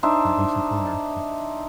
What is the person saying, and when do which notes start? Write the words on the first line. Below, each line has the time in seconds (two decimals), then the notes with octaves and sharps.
not go too far. Yeah.
0.03 D4 D#4 C5 E5